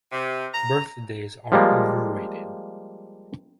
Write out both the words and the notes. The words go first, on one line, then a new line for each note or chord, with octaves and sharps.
Birthdays are overrated.
C3
A#5
F3 G3 G#3 A#3